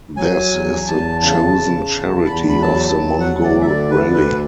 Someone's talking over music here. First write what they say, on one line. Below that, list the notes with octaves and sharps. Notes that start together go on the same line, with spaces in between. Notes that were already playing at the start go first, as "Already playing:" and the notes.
This is the chosen Charity of the Mongol Rally.
F#3 G#5
E2
E2 A5
C#3 A5
C#3
E2
E2 B5
B5
F#3 A5
F#3
F#5
D2
D5
E5
D3 D5
B4
D2
B4